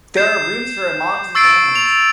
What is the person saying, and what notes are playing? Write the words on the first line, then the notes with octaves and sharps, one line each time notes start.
There are rooms for imams and families.
G6 C7 E7
C#6 E6 A6 C7 D7
F7